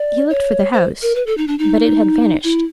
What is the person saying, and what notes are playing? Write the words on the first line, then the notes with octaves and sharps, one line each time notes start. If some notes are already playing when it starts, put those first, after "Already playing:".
He looked for the house, but it had vanished.
Already playing: D5
C#5
C5
A#4
B4
A4
D#4
D4
D#4
E4